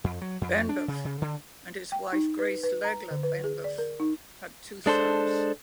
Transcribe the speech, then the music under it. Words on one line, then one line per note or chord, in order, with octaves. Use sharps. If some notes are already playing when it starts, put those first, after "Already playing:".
Benbough and his wife Grace Legler Benbough had two sons.
F2
F#3
F2
D4
C#3
C#3
D3
G5
D#4
B4
B4
A#5
D3
B4
G#4
D5
A#4
D#4
G#3 D4 A4 C5